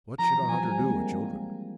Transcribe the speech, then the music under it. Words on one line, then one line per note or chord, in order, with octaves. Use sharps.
What should a hunter do with children?
F3 A#5
E3
G3
F3 G#5
G3
G#3 C4
G3 A#3